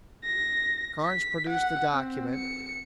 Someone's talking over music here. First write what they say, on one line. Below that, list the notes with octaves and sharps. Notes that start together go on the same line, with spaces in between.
Carnes produced the document.
A#6
B6
F#5
C4
C#7